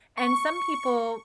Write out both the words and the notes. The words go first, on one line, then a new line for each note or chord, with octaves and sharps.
And some people
C#6